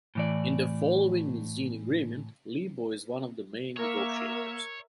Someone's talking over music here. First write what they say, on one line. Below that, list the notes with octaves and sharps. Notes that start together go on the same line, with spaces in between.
In the following Misène agreement, Libo is one of the main negotiators.
A2 E3 D5
A#3 A#4 C#5 E5